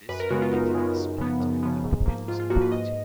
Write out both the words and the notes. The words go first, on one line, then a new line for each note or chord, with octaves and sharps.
This created a split in the Populist Party.
F#2 B4
A#4
C#3 G#3 B3 F#4
F4
F#2 D#4
C#3 G#3 B3
F#2
C#3 F3 B3
F#2
C#3 F3 B3
G#2
F3 A#3
G#2 F4
F4
F3 A#3 F#4
B4
G#2 D#5